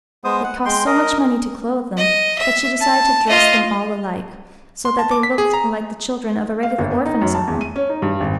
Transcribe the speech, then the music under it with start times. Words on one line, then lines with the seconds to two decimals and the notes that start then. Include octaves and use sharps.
It cost so much money to clothe them that she decided to dress them all alike, so that they looked like the children of a regular orphan asylum.
0.24 G#3 B3 C5 D#6
0.44 F#5
0.65 G#3 G5 C6
0.86 A#4 D#5
1.97 D#5
2.38 E5
2.80 A5
3.29 F4 D#5
4.85 C6
4.99 A5
5.11 D6
5.23 B6
5.38 G#4
5.53 A#5
6.63 F5
6.78 G1
6.90 B3
7.06 D#4
7.22 F#2
7.34 A5
7.47 E2
7.61 D#7
7.76 C#4
7.89 D#4
8.02 G2
8.20 G#1